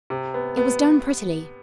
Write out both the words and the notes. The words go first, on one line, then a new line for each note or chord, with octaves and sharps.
It was done prettily.
C3
B3
B3